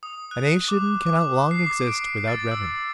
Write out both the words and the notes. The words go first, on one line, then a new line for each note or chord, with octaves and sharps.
A nation cannot long exist without revenues.
D#6
F#6
D6
D6
C7
D6
D7
A6
E6